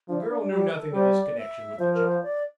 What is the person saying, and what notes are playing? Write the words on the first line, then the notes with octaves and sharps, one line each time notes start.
The girl knew nothing of his connection with the job.
F3 D4
E4
D4
D4
G3 G4
A4
G3 C5
D5
E5
F3 C5
A#4
C5
D5